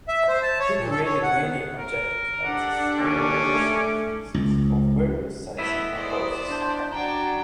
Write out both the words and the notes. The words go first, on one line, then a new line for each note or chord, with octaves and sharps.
He created many objective lenses, mirrors, and prisms of various sizes and purposes.
E5
C5
A5
C#5
A#2
A4
C#5
F#5
B3
A#4
D4 G4 A4 F#5
D#2 C#4 D6
A3
C#2
A3 B3 E4 G#4 D#5 E5
C5 D5 D#6
D4 A5 C6 G6
F#2 D4 F#4 D5 G5 A#5